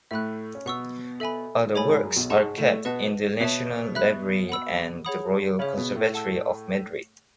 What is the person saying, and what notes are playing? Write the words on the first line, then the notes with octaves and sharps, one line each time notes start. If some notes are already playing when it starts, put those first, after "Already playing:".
Other works are kept in the National Library and the Royal Conservatory of Madrid.
A2 A3 E5 B5 F#6
C#4
B2 B3 F#5 C#6 E6
A4 E5 G#5 B5
A2 A3 G#4 C#5 G#5 B5
G#2 G#3
F#2 F#3
B1 B2
G#2 G#3 G#4 D#5 F#5 A5 C#6
A2 A3
B2 B3 B4 D#5 F#5 A5
B2 B3 C#5 E5 A5
E5 B5 F#6
F#5 B5 E6
G#4 C#5 F#5 B5 D#6
C#3 C#4 G#4 C#5 E5 B5
B2 B3
A2 A3
F#5 A5 E6